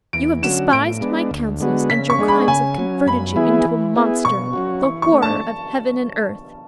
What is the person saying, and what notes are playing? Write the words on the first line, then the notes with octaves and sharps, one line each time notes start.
You have despised my counsels and your crimes have converted you into a monster, the horror of heaven and earth.
E2 D7
D3 F#3 C#4 F#4 E7
A2 D7
G#3 B3 D4
D2
D3 G#3 B3 F#4
C#3 B6
C#6
G#3 D4 G#4
B5
C#3 G#5
F#3 C#4
F#2 B5
E3 B3 E4 G#4
E3
B3 E4 G#4
B2 C#6
F#3 C#4 F#4
E3 C#6
C#6
A3 D4
A5